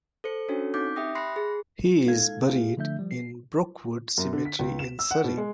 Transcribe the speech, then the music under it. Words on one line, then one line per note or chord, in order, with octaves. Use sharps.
He is buried in Brookwood Cemetery in Surrey.
A4 C5 C#7
C#4 D4 F#4 A4 C#5
C4 D#4 D6 G6 B6
G4 E5 G5 D#6 A#6
B5 C6 F#6 A#6 C7 C#7
G#4
G#3 D#4 A4 F5 G#6
A3 E4 G4 G#4 F5
D3 F3 A3 D4 E5 G6
F3 G3
C7
F#2
D3
B6
C#2
E7
E6
F#5
B2
G#3